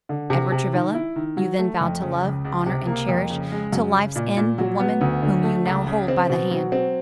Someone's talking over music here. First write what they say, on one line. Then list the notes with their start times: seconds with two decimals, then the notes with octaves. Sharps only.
Edward Travilla, you then vowed to love, honor and cherish till life's end the woman whom you now hold by the hand.
0.09 D3
0.30 C3
0.52 C3
0.74 D#3
0.94 E4
1.16 D#3
1.37 F#3
1.59 A3
1.81 F2
2.02 C#3
2.23 C#2
2.45 C#2
2.66 C3
2.87 A#3
3.09 F2
3.30 C#3
3.52 G#3
3.73 F#2
3.94 C#3
4.16 A#2
4.37 A#2
4.58 F#3
4.80 B3
5.01 D2
5.23 D3
5.44 A3
5.65 C#2
5.87 C#3
6.08 C4
6.29 B2
6.51 F#3
6.72 C4